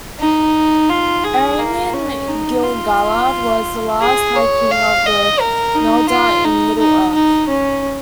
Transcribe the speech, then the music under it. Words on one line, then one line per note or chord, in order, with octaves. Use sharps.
Ereinion Gil-galad was the last High King of the Noldor in Middle-earth.
D#4
F4
G#4
A#3
C#4
D#4
F4
G#4
C#5
F5
D#5
A#4
D#4
F4
D#4
D#4
D#4
C#4